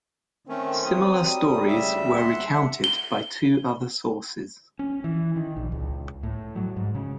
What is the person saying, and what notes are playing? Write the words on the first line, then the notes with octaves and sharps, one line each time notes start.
Similar stories were recounted by two other sources.
D#3 A3 C4 C#4
F#3 D#6
G3
D2 C#3 E5
E5 F#5 C6
G7
C#4
E3
D#3
A#1
C#2
A2
F#3
G#2
C#3